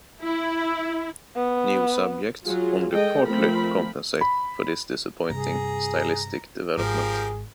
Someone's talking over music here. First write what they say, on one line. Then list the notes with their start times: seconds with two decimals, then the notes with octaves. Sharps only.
New subjects only partly compensate for this disappointing stylistic development.
0.22 E4
1.35 B3
2.46 F#3 F4 G#4
2.93 G#3 G#4 A4 D#5 G5
3.26 F3 A3 C4 A#4 B5
4.21 B5
5.30 G2 C3 G#4 A#5
6.77 G#1 F3 G4 G#4 A#4